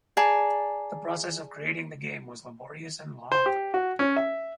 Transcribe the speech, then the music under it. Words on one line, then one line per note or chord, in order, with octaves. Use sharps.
The process of creating the game was "laborious and long".
G#4 D5 A5 A#5
C5
G4
F#4
C#4
E5